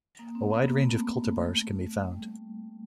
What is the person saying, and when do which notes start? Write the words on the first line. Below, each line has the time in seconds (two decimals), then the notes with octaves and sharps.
A wide range of cultivars can be found.
0.19 A#3
0.35 C4
0.50 B3
0.67 A#3
0.84 A3
2.12 G3